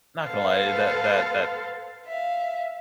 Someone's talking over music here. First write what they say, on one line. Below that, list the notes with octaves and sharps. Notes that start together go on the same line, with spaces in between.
Not gonna lie, that that that
A4 B4 C5 F5 F#5 A5
E5 F5